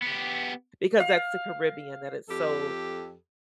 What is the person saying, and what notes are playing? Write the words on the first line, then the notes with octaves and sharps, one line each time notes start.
because that's the Caribbean, that it's so,
B3 G4
F5
F2 G4 A4